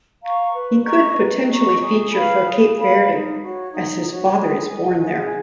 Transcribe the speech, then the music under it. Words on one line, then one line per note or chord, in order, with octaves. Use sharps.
He could potentially feature for Cape Verde as his father is born there.
F5 A#5 C#6
B4
D#5 A#5 C#6
B4
D#5 A#5 C#6
G#4
B4 F5 B5
G#4
B4 F5 B5
D#4
F#4 C#5
D#4
F#4 C#5
G#4
D#5 G#5
G#4